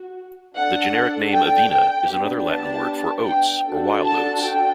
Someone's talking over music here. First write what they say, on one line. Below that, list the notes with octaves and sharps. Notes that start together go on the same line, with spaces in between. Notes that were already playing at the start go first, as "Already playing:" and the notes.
The generic name "Avena" is another Latin word for "oats" or "wild oats".
Already playing: F#4
D4 A4 F#5
G5
B3 D4 G4
A5
G5
D4 F#4 A4
A5
G5